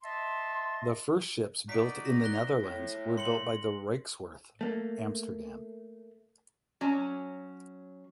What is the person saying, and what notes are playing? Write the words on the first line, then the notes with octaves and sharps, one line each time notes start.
The first ships built in the Netherlands were built by the Rijkswerf Amsterdam.
D#5 E5 A5 C6
D#4 F#4 D5 B6 D7
A#6
F#6 A#6 G7
A2
C6 C#7 F#7
A3 A#3
F#3 C#4